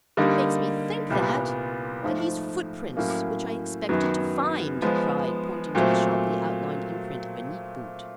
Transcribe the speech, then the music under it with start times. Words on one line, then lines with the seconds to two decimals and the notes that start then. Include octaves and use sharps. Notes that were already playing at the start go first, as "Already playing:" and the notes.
"What makes me think that?--Why these footprints, which I expected to find!" he cried, pointing to the sharply outlined imprint of a neat boot.
0.17 D3 G3 A#3 D#4
1.10 C2 A#2 G3 B3
2.03 G#2 F3 A3
2.97 A2 F#3 A#3 C#4
3.89 F#2 D#3 F#3 B3
4.82 F3 G#3 B3
5.75 A#2 F#3 A3 C4